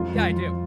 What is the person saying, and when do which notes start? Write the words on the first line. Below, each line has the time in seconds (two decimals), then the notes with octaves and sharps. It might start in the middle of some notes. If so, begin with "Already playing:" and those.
Yeah, I do.
Already playing: F2 F4
0.15 F2
0.36 F3